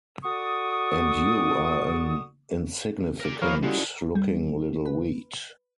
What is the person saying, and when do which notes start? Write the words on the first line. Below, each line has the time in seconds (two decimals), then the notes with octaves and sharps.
And you are an insignificant-looking little weed.
0.24 F#4 A4 D5 C#6 D#6
3.20 A#4 D5
3.42 E3 F3 A#3 D#4 A#4 C#5 F5 B5
3.63 D3 F3 G3 C#4 D#4 E4 F#4
4.15 G3
4.85 B4